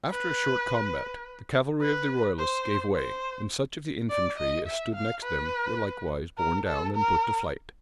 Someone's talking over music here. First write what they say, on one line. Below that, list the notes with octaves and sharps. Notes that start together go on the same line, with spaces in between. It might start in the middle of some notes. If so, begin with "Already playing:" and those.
After a short combat, the cavalry of the royalists gave way; and such of the infantry as stood next them were likewise borne down and put to flight.
B4
B4
C5
C5
D5
D#5
E5
F5
B4
A#4
A4
A#4